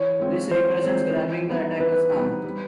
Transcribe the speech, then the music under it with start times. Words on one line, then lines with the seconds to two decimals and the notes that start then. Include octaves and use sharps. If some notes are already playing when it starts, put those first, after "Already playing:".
This represents grabbing the attacker's arm.
Already playing: E3 C#5
0.19 G#3 C4 F4
0.51 E3 C5
0.84 G#3 C4 F4
1.16 E3
1.47 G3 B3 D#4
1.79 E3 B4
2.12 G3 B3 D#4
2.44 G3